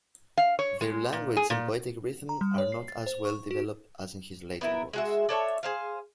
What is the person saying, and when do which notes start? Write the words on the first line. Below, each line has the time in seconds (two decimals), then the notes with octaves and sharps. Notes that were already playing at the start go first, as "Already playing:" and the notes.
Their language and poetic rhythm are not as well-developed as in his later works.
0.37 F5
0.59 C#5
0.81 G#3
1.13 A#2
1.37 G#4
1.50 A#2
2.29 A#5
2.41 G3
2.58 C#5
2.72 C7
2.88 A6
3.06 C5
3.25 C#6
3.51 F#4
4.61 B3 E4 A#4
4.93 G#3 F#4 E5
5.29 D4 A4 C#5 E5
5.63 G#4 C5 F5